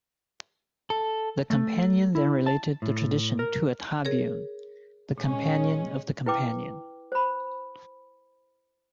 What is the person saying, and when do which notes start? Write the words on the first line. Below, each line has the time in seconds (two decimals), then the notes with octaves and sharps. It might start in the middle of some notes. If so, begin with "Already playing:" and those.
The companion then related the tradition to a Tabi'un, the companion of the companion.
0.90 A4
1.50 A3
2.15 E4
2.46 A5
2.82 A2
3.39 A#4
4.05 G#4 A#4 C#5
5.18 A#2 G#3 C#4
6.26 E4 B4 G5 D6
7.12 C5 B5